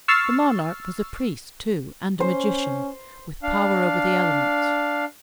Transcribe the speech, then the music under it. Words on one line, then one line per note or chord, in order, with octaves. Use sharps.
The monarch was a priest too, and a magician, with power over the elements.
C#6 E6 F6 A6 C7
C#4 C5
D4 F5